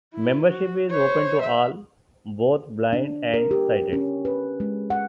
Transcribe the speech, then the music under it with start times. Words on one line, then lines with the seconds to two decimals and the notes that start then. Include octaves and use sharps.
Membership is open to all, both blind and sighted.
0.14 E4
0.50 F#4
0.90 C5 C#5
1.41 E5
2.93 D4
3.34 A#4
3.51 G4
3.93 C#4
4.25 B4
4.60 G#3
4.90 F#5